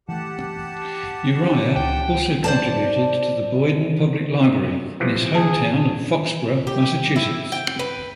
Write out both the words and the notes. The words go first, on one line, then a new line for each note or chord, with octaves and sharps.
Uriah also contributed to the Boyden Public Library in his hometown of Foxborough, Massachusetts.
E3 A3 G4 F#5 A5
C#2 G5
C5 D5 A5
C3 E3 F3
G#4 A5
G4
E4
G5
B4